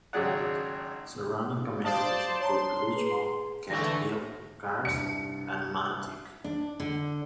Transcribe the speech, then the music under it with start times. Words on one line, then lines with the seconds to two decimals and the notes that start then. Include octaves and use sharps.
Surrounding communities include Richmond, Kemptville, Kars and Manotick.
0.13 G#1 C#3 F#3 G#4 D5 F#5
1.84 C5 D5 F5 A5 D#6
2.41 C#5 A5 A#5 C6
2.94 G#4 B4
3.70 D3 E3 A3 C#6 A#6
4.85 C2 G2 C#7
6.44 D4
6.80 D3